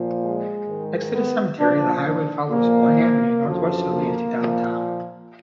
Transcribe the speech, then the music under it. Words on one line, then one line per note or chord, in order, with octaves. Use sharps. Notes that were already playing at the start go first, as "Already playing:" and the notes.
Next to the cemetery, the highway follows Boyne Avenue northwesterly into downtown.
Already playing: A#2 F3
G#3
G#2 D#3
B3
A#2 F3 D4
D4
A#2 F3 A#3
F#2 D3 F3
A#3
A#2 F3